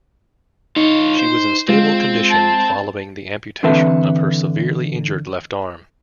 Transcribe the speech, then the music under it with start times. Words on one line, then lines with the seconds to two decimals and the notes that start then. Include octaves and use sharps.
She was in stable condition following the amputation of her severely injured left arm.
0.76 D#4 F4 C#5
1.19 C5
1.69 G#3 C4 F4
2.31 A5
3.63 D3 E3 C4 A4 B4 E5